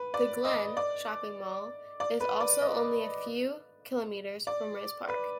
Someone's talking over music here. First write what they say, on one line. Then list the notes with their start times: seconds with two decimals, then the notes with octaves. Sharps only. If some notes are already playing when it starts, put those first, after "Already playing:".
"The Glen" Shopping Mall is also only a few Km from Rispark.
Already playing: B4
0.14 D5
0.45 D#5
0.77 D5
2.00 D5
2.20 B4
2.40 D5
2.62 D#5
4.47 D5
5.08 B4